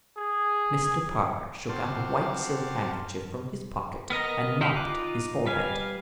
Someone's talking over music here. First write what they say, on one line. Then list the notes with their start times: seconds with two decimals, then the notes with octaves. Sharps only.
Mr. Parker shook out a white silk handkerchief from his pocket and mopped his forehead.
0.17 G#4
1.69 C4 F#4 C5 D5 F5 A5
4.10 B3 A#4 D#5 A#5
4.61 D#4 E4 G4 F5
4.75 D#4 F4 D6 F#6
5.46 G3 B4 F5 G#5